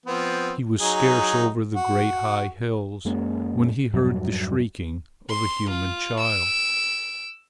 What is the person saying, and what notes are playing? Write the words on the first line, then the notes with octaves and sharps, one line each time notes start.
He was scarce over the great high hills when he heard the shrieking of a human child.
F3 B3 C4
F#3 D#4 G#4
F#4
F#2 G#3 A#3 C#4
F2 G#2 F#3 G3
C6
F4
E6 D7